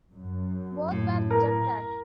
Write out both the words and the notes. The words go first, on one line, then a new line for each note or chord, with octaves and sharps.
Both were rejected.
F#2
A2
A#4